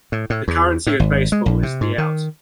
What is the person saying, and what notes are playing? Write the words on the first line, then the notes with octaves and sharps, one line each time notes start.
The currency of baseball is the out.
A2
A2
E2
A2
G#1
G#3
A#1
C3
G#2
D#3